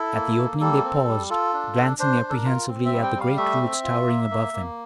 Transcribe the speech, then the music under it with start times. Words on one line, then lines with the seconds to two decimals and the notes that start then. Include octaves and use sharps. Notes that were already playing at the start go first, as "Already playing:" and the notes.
At the opening they paused, glancing apprehensively at the great roots towering above them.
Already playing: E4 A4
0.14 A#3
0.38 A#3
0.61 G3 A4
0.84 C4
1.07 G3
1.30 F4 A4
1.54 D4
1.76 D4
1.99 D4 C5
2.22 D4
2.30 A4
2.34 A#4
2.45 F4
2.68 C4
2.85 E5
2.92 G3
3.03 G5
3.15 G3 F5
3.37 A3 E5
3.60 C4
3.83 F4
4.06 A#3
4.31 A#3
4.53 A#3